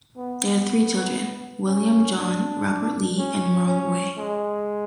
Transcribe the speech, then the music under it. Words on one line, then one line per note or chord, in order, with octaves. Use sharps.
They had three children, William John, Robert Lee, and Merle Ray.
B3
C#4
D4
C#4
C#4
G#3